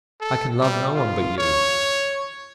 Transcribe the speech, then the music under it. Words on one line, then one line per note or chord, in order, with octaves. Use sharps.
I can love no one but you.
A4
G3
F4
C#5